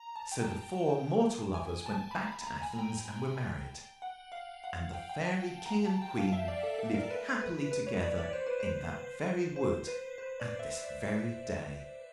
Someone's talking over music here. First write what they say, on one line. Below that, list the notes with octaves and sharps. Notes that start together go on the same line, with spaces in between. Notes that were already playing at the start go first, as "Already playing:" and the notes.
So the four mortal lovers went back to Athens and were married; and the fairy King and Queen live happily together in that very wood at this very day.
Already playing: A#5
A5
G5
G#5
A5
B5
A#5
B5
A#5
G#5
G5
F#5
F5
F#5
F5
G5
G5
A5
A#5
A5
G5
F5
E5
D5
A4
A4
A#4
B4
B4
B4
C#5
D5
D5
C5
B4
C5
C5
B4
C5
D5
E5